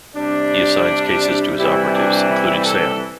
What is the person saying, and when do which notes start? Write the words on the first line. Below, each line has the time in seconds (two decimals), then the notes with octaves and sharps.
He assigns cases to his operatives, including Sam.
0.15 C3 G3 D4
1.58 C3 E3 G3 E4
1.94 D4
2.30 E4
2.66 A4